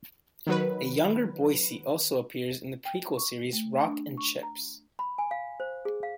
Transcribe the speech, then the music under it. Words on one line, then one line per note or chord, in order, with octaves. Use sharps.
A younger Boycie also appears in the prequel series "Rock and Chips".
D#3 F#3 B4
G5
C#6
A3
D4
C#6
A#5
B5
G#5
F5
C5
G#4
F5